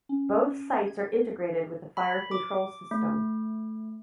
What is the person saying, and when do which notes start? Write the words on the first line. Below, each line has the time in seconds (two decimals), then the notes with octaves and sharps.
Both sights are integrated with the fire-control system.
0.09 C#4
0.87 G#6
1.97 B5
2.31 D6
2.91 A3